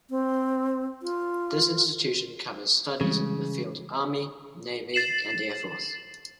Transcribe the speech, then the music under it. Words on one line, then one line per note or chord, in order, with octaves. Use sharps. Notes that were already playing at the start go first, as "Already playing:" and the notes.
This institution covers studies in the field of army, navy, and air force.
C4
F4
C#3 E3 G3 G#3
A6 C7 E7 F#7